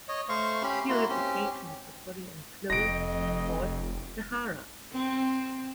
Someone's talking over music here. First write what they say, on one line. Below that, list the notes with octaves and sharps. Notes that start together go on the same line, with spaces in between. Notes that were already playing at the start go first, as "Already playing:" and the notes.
Purification of the body and clothes is called "taharah".
C#5 D#5
A3 C5 F5 C#6
C#4 G4 B5
A#3 E4 F#4 C6
C4 C#4 G4
F1 F2 D#5 A#6 D7
C4